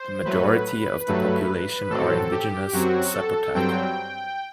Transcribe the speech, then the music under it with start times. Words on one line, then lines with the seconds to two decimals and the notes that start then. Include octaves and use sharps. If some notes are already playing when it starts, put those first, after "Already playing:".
The majority of the population are indigenous Zapotec.
Already playing: C5
0.25 A2 F#3 A3 B4
0.67 B4
1.08 G2 F#3 A3 B4
1.90 A2 F#3 C4 A4
2.31 G4
2.73 F#2 F#3 C4 F#4
3.14 A4
3.54 G2 F#3 C4 G5